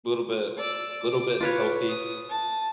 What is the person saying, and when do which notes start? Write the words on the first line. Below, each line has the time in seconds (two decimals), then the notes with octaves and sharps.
Little bit little bit healthy,
0.57 D5 E6
1.01 D6
1.40 F4 B4 C#5
1.89 D#6
2.29 A5